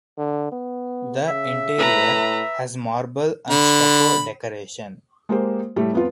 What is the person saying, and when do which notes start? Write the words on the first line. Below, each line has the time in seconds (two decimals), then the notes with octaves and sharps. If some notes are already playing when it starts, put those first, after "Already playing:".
The interior has marble and stucco decoration.
0.18 D3
0.52 B3
1.27 C#3 E5
1.78 A2 B4 A#5
3.50 D3 B5
5.29 G#3 A#3 G4 C5
5.76 A2 G3 A3
5.93 F2 B3 F4